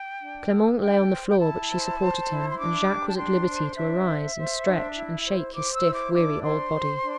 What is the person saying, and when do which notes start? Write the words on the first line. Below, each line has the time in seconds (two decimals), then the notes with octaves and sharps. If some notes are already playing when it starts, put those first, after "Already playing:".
Clement lay on the floor, but she supported him, and Jacques was at liberty to arise and stretch and shake his stiff, weary old body.
Already playing: G5
0.20 D4
0.49 A4
0.79 D4 G5
1.08 C5
1.27 G5
1.38 E4 A5
1.69 C5
1.98 C5
2.27 E4
2.49 C6
2.57 D4 D6
2.87 G4
3.08 A5
3.16 D4 C6
3.47 C5
3.75 D4 E5
4.05 C5
4.35 C5
4.66 D4
4.94 E4
5.25 C5
5.55 C5 D6
5.73 E6
5.84 E4
5.93 D6
6.14 D4 D6
6.43 C5 C6
6.73 C5
7.03 D4